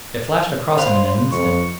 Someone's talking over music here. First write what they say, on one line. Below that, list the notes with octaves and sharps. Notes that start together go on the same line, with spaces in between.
It flashed across him in an instant.
B4 C5 F5 C6
F2 C#6